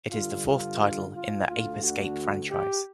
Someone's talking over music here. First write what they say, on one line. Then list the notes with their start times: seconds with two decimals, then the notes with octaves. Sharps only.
It is the fourth title in the "Ape Escape" franchise.
0.12 G2 D3 F4
0.47 F4
1.14 F4
1.48 D2 D3 F4
1.83 F#4
2.50 G4